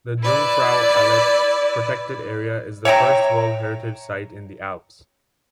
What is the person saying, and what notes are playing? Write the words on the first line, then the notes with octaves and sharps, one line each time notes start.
The Jungfrau-Aletsch Protected Area is the first World Heritage Site in the Alps.
E4 B4 D5
C#5 E5 G5 A#5